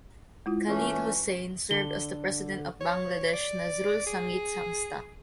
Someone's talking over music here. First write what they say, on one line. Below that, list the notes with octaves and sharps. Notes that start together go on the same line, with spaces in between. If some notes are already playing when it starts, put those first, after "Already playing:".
Khalid Hossain served as the president of Bangladesh Nazrul Sangeet Sangstha.
G#3 E4 F4
E3 A3 C#4
D3 G7
C#5
D5
G#4